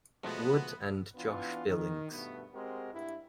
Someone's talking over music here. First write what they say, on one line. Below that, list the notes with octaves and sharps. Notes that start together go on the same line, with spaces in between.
Wood and Josh Billings.
B2 D#3 F3 G#3 A3 B3 F#4
E3 B3 C#4 D4 F4
D#3
G2 B2 A3 B3
G#3 C4 F#4 G4 A#4
G2 E4